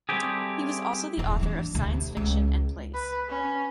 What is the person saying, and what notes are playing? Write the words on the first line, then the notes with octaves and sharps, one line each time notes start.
He was also the author of science fiction and plays.
G3 A3 C4 E4 G4 G#4
D#1 E2
E3 D4
D2 C3
C#2
B4
C#4